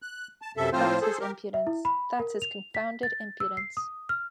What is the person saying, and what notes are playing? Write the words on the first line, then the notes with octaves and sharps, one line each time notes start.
That’s his impudence — that’s his confounded impudence.
F#6
A5
F#2 C3 A4 E5
A2 F3 C4 F4 C5
G#4 A4 C5
G4 A#4
E5
E4
B5
A#4
F7
B6
A6
E6
C7
D#6
F6